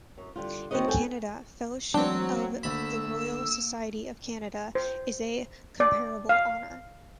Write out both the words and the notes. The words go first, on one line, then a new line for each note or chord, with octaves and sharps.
In Canada, Fellowship of the Royal Society of Canada is a comparable honour.
F#2
D3 G3 F4
D#3 C4 F#4 B4 C#5 D#5
G#2 A4 C#5 G5 G#5
E3 F#3 G#3 A3 C4 D4 G5
A#3
D2 B5 E6
C5
D5
F5